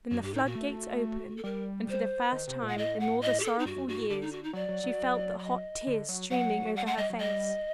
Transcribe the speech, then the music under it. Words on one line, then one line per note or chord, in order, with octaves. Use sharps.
Then the floodgates opened, and for the first time in all the sorrowful years, she felt the hot tears streaming over her face.
F#2 F#4
G2 G4
A2 D#4
A#2 F#4
A3
A4
G3 A#4
C5
D#3
C3
A#2 F#5
A2 D#5
F#5
D#5
G4
A4
D#4
G2 F#4
F#2
G2 F#4
A2
D3 G4
D#4
F#4
D#4
F#3 D5
F#3
F#3
D5
D#5
D3
F#3
F#3 F#5
F#3
G3 F#5
A3 F#5
G3 D#5
F#3
G3 D#5